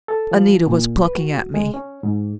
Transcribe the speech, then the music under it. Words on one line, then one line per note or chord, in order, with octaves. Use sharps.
Anita was plucking at me.
A4
F3
A#2
B4
F#4
G#3
C#4
G#2